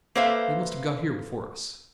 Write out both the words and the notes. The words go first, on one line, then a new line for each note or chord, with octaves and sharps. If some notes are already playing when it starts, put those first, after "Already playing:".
"They must have got here before us."
A#3 A4 B4 C5 E5 F5